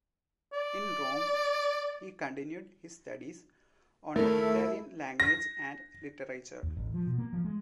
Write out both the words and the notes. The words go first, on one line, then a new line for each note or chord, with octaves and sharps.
In Rome, he continued his studies on the Italian Language and Literature.
D5
D#2 A3 E4 A#4
A#6
D#2
A1
F3
B2
A#3
F3
G#3